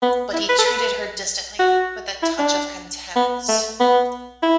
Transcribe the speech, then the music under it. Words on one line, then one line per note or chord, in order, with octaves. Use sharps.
But he treated her distantly, with a touch of contempt.
B3
E4
B4
A4
B4
F#4
E4
D4
B3
A3
B3
E4